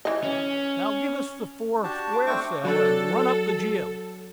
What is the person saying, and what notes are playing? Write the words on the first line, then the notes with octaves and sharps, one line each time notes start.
"Now give us the fore squaresail, and run up the jib."
E3 D#5
C#4
D4 F#4 G4 A5
D6
A3 C4 D4 C5 C#6 D6
F#3 D4 A4